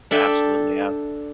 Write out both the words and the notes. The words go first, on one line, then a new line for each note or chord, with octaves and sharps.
Absolutely, yeah.
D4 A4 E5 G5